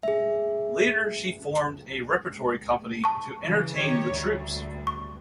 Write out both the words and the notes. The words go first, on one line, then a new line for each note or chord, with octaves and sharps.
Later she formed a repertory company to entertain the troops.
G#4 E5
A5 C#6
C#3 E3
D#3 G4 C#5
D2 G3
C#6